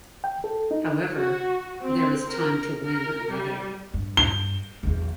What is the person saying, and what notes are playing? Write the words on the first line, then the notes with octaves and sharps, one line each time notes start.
However, there is time to win another.
G5
A4
D#4
F#4
C4
A#4
A#4
G3
G2
G7
B1 E2